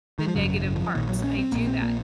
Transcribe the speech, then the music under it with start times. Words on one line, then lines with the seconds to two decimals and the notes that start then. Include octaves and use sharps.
the negative parts, I do that.
0.19 D#3
0.28 F3
0.35 G#1 F#2 C#3 F#3
0.75 F3
0.95 A#1 A#2 D#3
1.09 F#3
1.24 C#4
1.39 C4
1.52 A#1 A#2 A#3
1.67 C4
1.82 A#3